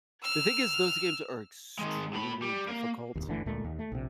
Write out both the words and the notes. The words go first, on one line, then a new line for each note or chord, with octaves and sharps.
the thing is those games are extremely difficult,
E6 F6
D#3 G#3
A2 B5
G3
A#3
D1 G#1 D#2
G1 D3 E3 A3
D2 A#2 G#3 A3
D#2
A3
A#1 C3